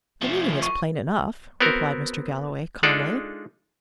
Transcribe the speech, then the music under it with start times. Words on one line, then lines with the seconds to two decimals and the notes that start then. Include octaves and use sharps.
"The meaning is plain enough," replied Mr. Galloway, calmly.
0.22 F3 A3
0.63 C#6
1.60 B3 C4 F#4 A#4
2.83 G#3 D4 D#4 F4 A4 D5